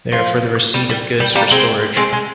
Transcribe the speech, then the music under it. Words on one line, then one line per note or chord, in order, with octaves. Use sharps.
They are for the receipt of goods for storage.
F3
G3
G3
G3
G3 A#3
G#3 C4
G#3 C4
G#3